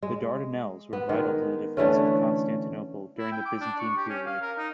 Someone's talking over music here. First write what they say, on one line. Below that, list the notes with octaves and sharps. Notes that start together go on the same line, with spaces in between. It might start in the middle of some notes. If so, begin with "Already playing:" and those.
The Dardanelles were vital to the defence of Constantinople during the Byzantine period.
G#3
B3
D#3 G#3
D3 E3 A3 C#4
E4
G5
D6
D4
C#6
G4
C#4
F5
A#4
D#4